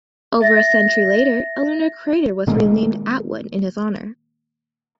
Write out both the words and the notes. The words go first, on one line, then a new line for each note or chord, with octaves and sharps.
Over a century later, a lunar crater was renamed Atwood in his honour.
E5 A6 A#6
A#2 D#3 G#3 A#3